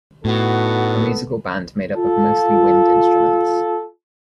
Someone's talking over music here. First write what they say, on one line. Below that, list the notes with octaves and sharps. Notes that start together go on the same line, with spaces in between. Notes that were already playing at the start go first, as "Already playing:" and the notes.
A musical band made up of mostly wind instruments.
A2 B3 D#4 F#4 A4
F4 A4